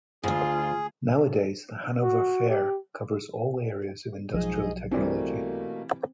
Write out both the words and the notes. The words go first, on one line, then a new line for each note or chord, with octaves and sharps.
Nowadays, the Hanover Fair covers all areas of industrial technology.
D2 G#2 F4 G#4
F#4
G4
B1 G#2 F3 F#3 G#4 D#5
B2 E3 G3 A3 A#3 C4